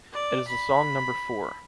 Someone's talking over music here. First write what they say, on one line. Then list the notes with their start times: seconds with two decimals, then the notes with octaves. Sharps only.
It is the song number four.
0.13 D5
0.48 B5